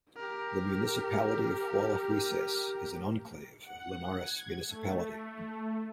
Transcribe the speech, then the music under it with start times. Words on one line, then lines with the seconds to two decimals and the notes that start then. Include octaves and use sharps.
The municipality of Hualahuises is an enclave of Linares municipality.
0.17 G4 A#4
3.64 F#5
4.24 G#6
4.67 A3